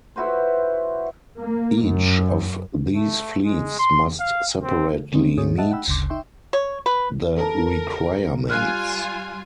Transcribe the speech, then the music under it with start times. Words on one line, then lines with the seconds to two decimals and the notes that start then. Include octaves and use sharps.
Each of these fleets must separately meet the requirements.
0.16 E4 F#4 B4 C5
1.37 A#3
1.84 F#2
2.95 A3
3.45 G#3
3.79 C6
4.20 F5
4.63 C4
5.13 D3 G#3 C4 C#4 D#4
5.37 G#2 C4 G#4 C#5 D#6
5.58 D#5 E5 F#5 A5
5.71 F#5 G5 B5 E6
5.87 G1 D2 C#3 C6 D6
6.10 D#4 E5 G5 C6 C#6
6.53 C#5
6.86 B4
7.37 A4 A#4 A5
8.49 G3 F4 G#5 F6 F#6